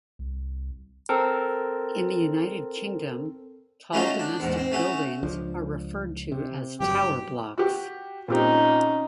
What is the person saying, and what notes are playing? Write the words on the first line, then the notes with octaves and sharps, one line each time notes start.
In the United Kingdom, tall domestic buildings are referred to as tower blocks.
C2
C4 A4 A#4
F#3 A3 C#4 D#4 F4 F#4
D4
E2 G#2
C4
A3 C#4 F#4
C#2 F3 D4
C3
F#1 G2 F#3 G4
F#4 G4
A#2 C4 C#4 D#4 G4